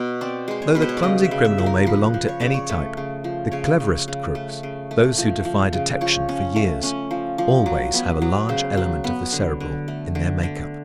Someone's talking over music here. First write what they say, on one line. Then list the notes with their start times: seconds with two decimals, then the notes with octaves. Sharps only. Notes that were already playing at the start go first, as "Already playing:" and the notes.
Though the clumsy criminal may belong to any type, the cleverest crooks--those who defy detection for years--always have a large element of the Cerebral in their makeup.
Already playing: B2 F#5
0.21 C4 D5
0.48 G#3 C5
0.62 C#5
0.75 B2 B4
0.82 C5
0.89 C#5
0.97 D5
1.03 C#3 D#5
1.24 E5
1.31 C#3
1.45 E5
1.58 F3
1.66 A#4
1.86 F3 B4
2.14 F3
2.28 C#5
2.40 C#3 D5
2.54 C#5
2.69 A3
2.97 C#3
3.24 F3
3.52 C#3 C#5
3.80 C#3
4.08 C#3
4.35 A3
4.63 C#3
4.91 A3
5.18 F3
5.45 F3
5.73 C#3
6.01 F3 C#5
6.29 C#4
6.56 A3
6.83 C#4
7.11 F3
7.38 F3
7.66 F#3
7.94 B3
8.22 F#3
8.49 C#3 C5
8.77 F#3
9.04 B3
9.32 D3
9.60 D3
9.88 A3
10.15 D3
10.43 D3